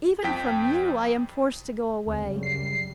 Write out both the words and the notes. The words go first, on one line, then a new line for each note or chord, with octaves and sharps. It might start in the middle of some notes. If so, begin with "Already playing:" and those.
Even from you I am forced to go away.
F2 G5 B6
D2 A3 C4
F#2 C#3 G3
C7